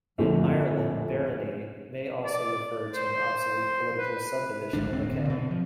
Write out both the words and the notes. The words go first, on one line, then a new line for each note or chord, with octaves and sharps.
In Ireland, "barony" may also refer to an obsolete political subdivision of a county.
A#1 F2 A2 D3 F3
D5
C5
B4
G#1 G#2 D#3 D4
D1 C4
G2 D3
B2 C4
F3